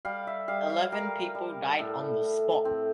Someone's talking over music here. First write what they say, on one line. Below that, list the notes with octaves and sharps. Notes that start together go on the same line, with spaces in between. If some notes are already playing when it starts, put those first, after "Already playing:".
Eleven people died on the spot.
G3 F5
E5
G3 F5
F5
G3 A#4
G3
A2 A4
A2
A2 C4